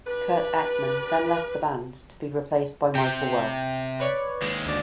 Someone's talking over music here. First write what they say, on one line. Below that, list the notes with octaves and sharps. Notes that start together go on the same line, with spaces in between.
Curt Eckman then left the band, to be replaced by Michael Wells.
D4 G4 B4
C3 G5
B4 C#5 D5
D#2 G#3
D2 D5